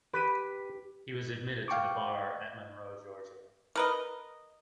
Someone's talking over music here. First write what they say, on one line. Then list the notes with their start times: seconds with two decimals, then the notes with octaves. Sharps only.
He was admitted to the Bar at Monroe, Georgia.
0.13 G4 B4 B6 D#7
1.68 F5 G5 C#6 D6
3.76 A#4 B4 D#5